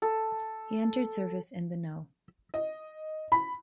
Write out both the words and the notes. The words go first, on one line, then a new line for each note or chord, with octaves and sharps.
He entered service in the No.
A4
D#5
B5